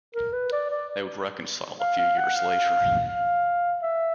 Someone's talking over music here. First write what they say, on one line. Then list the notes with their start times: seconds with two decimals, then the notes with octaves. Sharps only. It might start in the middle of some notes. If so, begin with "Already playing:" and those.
They would reconcile a few years later.
0.14 A#4
0.33 B4
0.52 D5
0.70 D5
1.80 F5
1.98 F5
2.17 F#5
2.35 F5
3.08 F5
3.81 E5